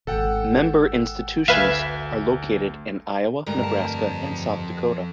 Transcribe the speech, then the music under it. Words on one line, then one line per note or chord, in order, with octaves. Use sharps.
Member institutions are located in Iowa, Nebraska and South Dakota.
D1 G#1 A4 F#5 G5
D2 B4 E5 F5 G#6
D2 G2 A#4
F2 A5